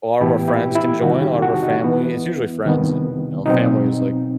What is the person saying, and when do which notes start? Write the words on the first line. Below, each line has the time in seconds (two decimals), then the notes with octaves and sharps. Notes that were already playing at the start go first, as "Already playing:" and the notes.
a lot of our friends can join, a lot of our family it's usually friends, eh, you know? Family is, like,
0.20 A2 E3 B3 E4 G4
0.48 E4 G4
0.75 E4
1.02 C3 D#3 G3 D#4 F#4
1.22 E4 G4
1.42 F#4 A4
1.63 D#4 F#4
1.83 E3 B3 E4
2.65 C3 D#3 G3 B3
3.46 B2 F#3 C4 D#4